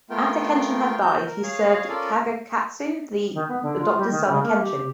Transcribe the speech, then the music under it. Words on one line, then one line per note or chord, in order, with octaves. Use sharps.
After Kenshin had died, he served Kagekatsu, the adopted son of Kenshin.
A3 B3 F4 A#4 G5
F#4 G6
A#4
G#4 C#5 F5
C#4 F4 A4 A#4 D5
D#3
B3
D3
F4
G3
D#3
C#3
A#3
G4